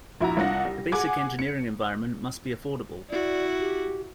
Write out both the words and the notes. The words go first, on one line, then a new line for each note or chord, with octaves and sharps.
The basic engineering environment must be affordable.
A#1 E4 F#4 A#5
C2 D4 F4 F#5 A#6
G3
G#4 F#5 G#5 D6 G#6
C#7
E4 F#4 D5
G4